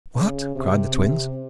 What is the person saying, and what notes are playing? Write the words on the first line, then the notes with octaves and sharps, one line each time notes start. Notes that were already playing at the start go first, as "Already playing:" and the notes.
"What?" cried the Twins.
C#3
C3
C3